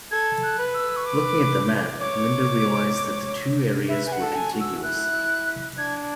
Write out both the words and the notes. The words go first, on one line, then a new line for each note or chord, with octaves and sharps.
Looking at the map, Linda realised that the two areas were contiguous.
A4 G#6
F#6
B4
E6
C#6
D6
C#5 D6
B4 E5
G#5
F#5
A4
F#5
G#5
F#4
E6
E4 F#6
D4 G#6